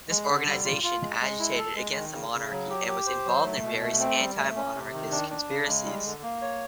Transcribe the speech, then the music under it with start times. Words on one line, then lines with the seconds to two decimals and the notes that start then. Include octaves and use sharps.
This organization agitated against the monarchy and was involved in various anti-monarchist conspiracies.
0.09 G#3
0.28 D3
0.46 G3
0.65 F4
0.83 F4
1.02 G#3
1.20 G#3
1.39 E4
1.58 A4
1.76 G#3
1.95 D#3
2.14 C#3
2.32 C#3
2.51 F#3
2.70 G4
2.88 G4
3.07 C5
3.25 F#3
3.44 A3
3.63 B2
3.81 A3
3.99 C4
4.18 G3
4.37 A3
4.56 C#4
4.74 C3
4.93 D#3
5.11 D4
5.30 D4
5.49 C#3
5.67 G#3
5.86 G3
6.05 D3
6.23 A#3
6.42 C#5